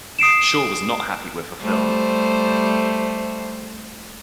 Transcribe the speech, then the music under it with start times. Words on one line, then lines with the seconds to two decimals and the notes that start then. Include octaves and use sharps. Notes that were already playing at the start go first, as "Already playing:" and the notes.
Shaw was not happy with the film.
0.19 D#6 C7 D7 E7
1.62 G3 A3 C5